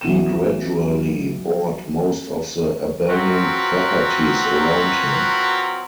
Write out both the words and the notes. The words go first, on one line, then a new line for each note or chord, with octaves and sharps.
He gradually bought most of the abandoned properties around him.
B1 E3 B3 D#7 E7
F#3 C4 F4 F#4 A#4 B4